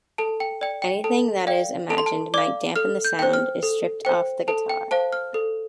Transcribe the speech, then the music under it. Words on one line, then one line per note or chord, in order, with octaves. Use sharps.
Anything that it is imagined might dampen the sound is stripped off the guitar.
A4 A5
G5
D5 G5
G5
A4 A5
D5 F5 G5
A4 A5
C6
A5
D5 F5 D6
A4 F6
G6
C5 G5
F6
A4
C5 G5
A4 A5
G5
C5 F5 A5
F6
A4